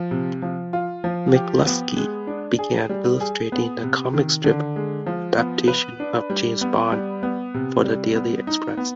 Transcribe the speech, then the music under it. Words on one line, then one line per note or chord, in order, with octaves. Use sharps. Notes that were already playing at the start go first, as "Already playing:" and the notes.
McLusky began illustrating the comic strip adaptation of "James Bond" for the "Daily Express".
Already playing: F3
C3
F3
F4
F3
G4
B3
G#3
D4
G#4
G3
G#4
B3
C3
D#3
D3
G#3
F3
B3
B4
D4
G3
B3
G3
B3
C3
G3
B3
D#4
B3